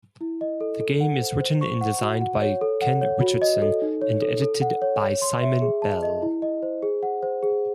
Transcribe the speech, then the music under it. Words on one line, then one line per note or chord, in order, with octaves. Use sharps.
The game is written and designed by Ken Richardson and edited by Simon Bell.
E4
D#5
A4
A4
F#5
C5
C5
C#6
F#5
F#4
F#5
C#5
A4
F#5
C#5
F#4
D#5
A4
D#4
C#5
A4
A4
F#5
C#5
C#5
C6
E5
G#4
A5
D#5
E4
D#5
C5
G#4
F#5
C5
G#4